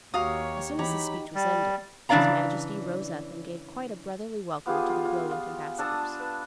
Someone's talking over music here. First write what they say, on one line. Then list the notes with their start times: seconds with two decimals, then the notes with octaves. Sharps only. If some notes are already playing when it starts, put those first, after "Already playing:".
As soon as the speech was ended, his Majesty rose up and gave quite a brotherly welcome to the brilliant ambassadors.
0.14 D#2 F#4 G4 C#5 F5 A#5 D#6
0.79 E3 D#4 G4 C#5 A#5 B5
1.35 G3
2.09 C#3 E3 D4 D5 F5 A#5
4.66 B3 F4 G4 G#4
4.89 F4
5.05 F4
5.31 F4
5.79 D4 A4 A5 D#6
6.20 B4